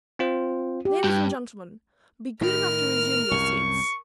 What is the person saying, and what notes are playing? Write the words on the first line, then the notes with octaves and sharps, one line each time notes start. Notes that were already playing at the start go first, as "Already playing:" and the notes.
Ladies and gentlemen, be good enough to resume your seats.
C4 F4 C5
G4
G2 G5
A2 D#3 A#4 F6
C2 F#2 C#6